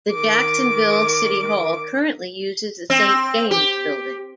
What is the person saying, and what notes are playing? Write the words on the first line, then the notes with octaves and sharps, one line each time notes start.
The Jacksonville City Hall currently uses the Saint James Building.
D#3 D6
C4
G4